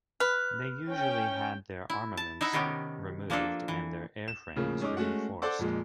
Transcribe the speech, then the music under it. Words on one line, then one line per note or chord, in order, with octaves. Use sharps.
They usually had their armaments removed and their airframes reinforced.
B4 F6
C#4 G5
E4
A5
D#4 E4 E5 F#5
C3 D#3 B3 C#4 G4
F3 A#3 D4 F4 A4
E3
E7
A2 C#3 F3 A#3
G#3 C#4 D#4 D6
G#3 A3 C#4 F#4 F#5
A4 C5 D5 F#5 D6
F2 A#2 G#3